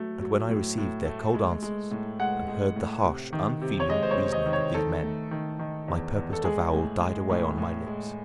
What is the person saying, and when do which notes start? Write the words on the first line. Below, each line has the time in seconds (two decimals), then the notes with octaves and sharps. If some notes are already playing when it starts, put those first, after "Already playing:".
And when I received their cold answers and heard the harsh, unfeeling reasoning of these men, my purposed avowal died away on my lips.
Already playing: F#3 A3
0.21 F#3
0.49 A2
0.78 A2
1.06 A3
1.34 G#3
1.63 G#3
1.91 A2
2.19 G#3 F#5
2.48 G#3
2.76 A2
3.04 C3
3.33 D#3
3.61 C3
3.80 C#5
3.89 G#3 D#5
4.03 C5
4.11 C#5
4.17 C3
4.33 D#5
4.46 D#3
4.53 C#5
4.74 D#3 A4
5.03 A3
5.31 D#3
5.59 D#3
5.88 E2
6.16 E2
6.33 A4
6.44 G#3 G#4
6.74 A2
7.01 G#3
7.30 A2
7.58 A2
7.87 G#3